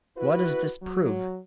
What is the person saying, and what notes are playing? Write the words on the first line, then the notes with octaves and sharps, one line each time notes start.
What does this prove?
E4 F#4 B4
F#3